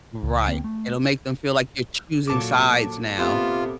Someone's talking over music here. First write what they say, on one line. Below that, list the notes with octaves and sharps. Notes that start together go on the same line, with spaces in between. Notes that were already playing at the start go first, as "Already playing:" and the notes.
Right. It'll make them feel like you're choosing sides now
C#2
D2 A#3 C4
A3
A#2 F#3 A4 D6
C3 A#3 B3 F4